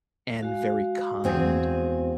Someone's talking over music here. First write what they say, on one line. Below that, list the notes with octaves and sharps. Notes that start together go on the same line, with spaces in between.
and very kind,
G#3 F#4 F5
E2 C4 G#4